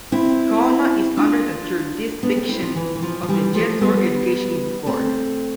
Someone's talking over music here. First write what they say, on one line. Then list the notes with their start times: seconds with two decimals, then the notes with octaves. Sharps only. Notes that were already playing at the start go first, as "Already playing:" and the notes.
Khulna is under the jurisdiction of the Jessore Education Board.
0.12 C4 E4
1.17 D4 F4
2.23 B3 D4
2.36 A3 C4
2.49 C4 E4
2.62 F3
2.76 E3
2.96 E3
3.02 F3
3.23 F3
3.28 E3 G3
3.55 F3 A3
3.81 G3 B3
4.86 A3 C4